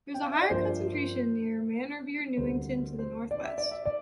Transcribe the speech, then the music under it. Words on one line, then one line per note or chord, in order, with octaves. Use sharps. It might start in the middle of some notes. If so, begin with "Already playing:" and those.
There is a higher concentration near Manorbier Newton to the northwest.
G5
F5
E5
D5
G2 F3 A#3 C5
D2 C3 G3 A#3 C5
C5
D5
E5
D5
E5
D5